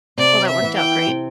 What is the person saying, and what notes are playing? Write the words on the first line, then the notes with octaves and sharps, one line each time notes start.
Well, that worked out great.
C3 D5
E5
E3 B3
G5
C3